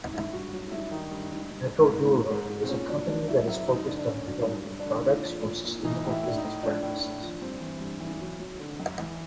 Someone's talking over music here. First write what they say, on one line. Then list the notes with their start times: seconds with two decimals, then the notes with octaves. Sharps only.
EcoDuro is a company that is focused on developing products for sustainable business practices.
0.14 G2 E4
0.33 G2 F#4
0.53 F#3
0.72 G2 E4
0.91 D#3 D#4
1.11 G2
1.31 G2
1.51 G2
1.70 G2
1.90 G#2
2.11 G#2
2.30 G#2
2.49 G#2
2.63 C4
2.68 A#2 C#4
2.89 F#3 D4
3.08 F#3 D4
3.28 F#3 E4
3.47 F#2 E4
3.67 F#2 D#4
3.87 D3 D4
3.98 D4
4.07 D3 C#4
4.26 F#3 D4
4.46 G2
4.66 G2
4.80 D4
4.86 D3
5.05 A#2
5.25 F3
5.45 A#2
5.64 A#2
5.84 E3 D#4
6.04 A2
6.10 E4
6.23 A2 D4
6.36 D#4
6.44 A2
6.63 F3 D4
6.82 A2
7.02 A2
7.21 F3
7.41 G2 C4
7.61 E3
7.81 G2
8.00 E3
8.21 F#3
8.40 F#3
8.59 D3
8.80 F#2
8.99 E3